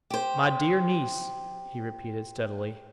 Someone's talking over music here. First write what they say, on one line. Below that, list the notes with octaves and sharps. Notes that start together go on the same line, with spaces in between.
My dear niece,' he repeated steadily.
G4 C5